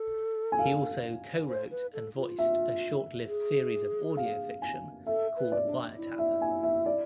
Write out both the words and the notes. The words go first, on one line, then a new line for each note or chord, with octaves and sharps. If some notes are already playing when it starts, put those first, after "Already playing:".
He also co-wrote and voiced a short-lived series of audio fiction called "Wiretap".
Already playing: A4
G#5
F5
C5
B4
A4
F4
E5
G#4
F5
G#5
A4 E5
B4
D5
D4
E4
E5
G#5
E5
D5